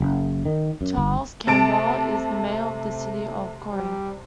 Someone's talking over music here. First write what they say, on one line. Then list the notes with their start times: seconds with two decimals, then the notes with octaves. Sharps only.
Charles Campbell is the mayor of the city of Corry.
0.01 F#1
0.45 D#3
0.81 F#2
0.98 G1
1.47 C3 A3 A5 D7
3.72 G3